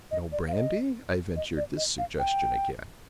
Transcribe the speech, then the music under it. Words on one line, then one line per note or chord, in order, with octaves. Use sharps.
"No brandy?" I ventured this suggestion again.
D#5
D5
F5
D#5
D#5
D5
D#5
F5
G5